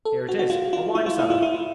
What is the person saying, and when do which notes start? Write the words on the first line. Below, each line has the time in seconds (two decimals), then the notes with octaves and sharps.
Here it is--a wine-cellar.
0.05 A4
0.29 F#4
0.39 F#4
0.50 F4
0.73 F4
0.95 E4
1.06 F4
1.19 E4
1.30 F4
1.43 E4
1.54 F4